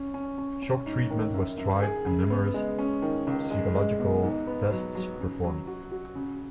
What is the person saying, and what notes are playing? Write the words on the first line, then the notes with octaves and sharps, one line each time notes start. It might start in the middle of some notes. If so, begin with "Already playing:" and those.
Shock treatment was tried and numerous psychological tests performed.
Already playing: C#4
C#4
C#4
C#4
G#2
D#3
F#2
F#2
G#4
C#3
B3
G#3
C#4
D#3
C#2
G#3
G#3
B2
G#2
B3
F#3
F#3
C#3
F#3
F#4
F#4
C#3